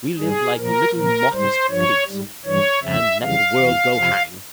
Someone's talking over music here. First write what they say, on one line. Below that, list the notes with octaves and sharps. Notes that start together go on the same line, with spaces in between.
We live like little modest pigs. And let the world go hang.
G#2 G3 G#4
A#2 F3 A#4
A#2 F3 A#4
G#2 G3 C5
G2 F3 C#5
G#2 G3
G2 E3 G3 C#5
F2 C#3 F3 E5
F2 C#3 E3 G3 F5
E2 C3 E3
F2 C3 F3